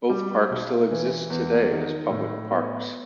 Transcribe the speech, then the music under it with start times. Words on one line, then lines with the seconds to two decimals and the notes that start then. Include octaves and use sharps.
Both parks still exist today as public parks.
0.09 G3
0.51 B1
0.91 E3
1.30 E2
1.71 D#3
2.11 A2
2.51 B3